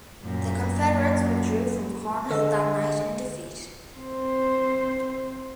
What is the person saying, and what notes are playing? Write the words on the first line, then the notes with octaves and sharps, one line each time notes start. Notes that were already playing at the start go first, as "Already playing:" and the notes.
The Confederates withdrew from Corinth that night in defeat.
F#2 A#2
D3 G#3 A4 D#5 E6
C4 C5